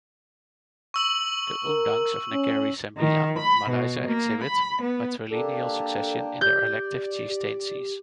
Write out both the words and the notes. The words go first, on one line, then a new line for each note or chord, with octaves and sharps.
The Undangs of Negeri Sembilan, Malaysia exhibit matrilineal succession in their elective chieftaincies.
C#6 E6 F#7
A#4
C#4
D#3
B5
B2
A#3
B5
B3
A#3 D4 G4 A4
G4 D5 G6
G4